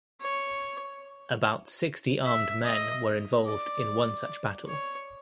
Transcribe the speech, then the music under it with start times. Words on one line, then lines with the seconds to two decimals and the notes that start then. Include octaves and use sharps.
About sixty armed men were involved in one such battle.
0.21 C#5
2.24 E5
2.64 D#5
3.46 D5
4.68 C#5